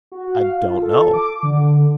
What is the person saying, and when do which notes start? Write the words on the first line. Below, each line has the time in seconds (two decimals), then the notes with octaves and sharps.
"I don't know."
0.12 F#4
0.36 F5
0.61 F4
0.82 A4
1.13 D6
1.43 D3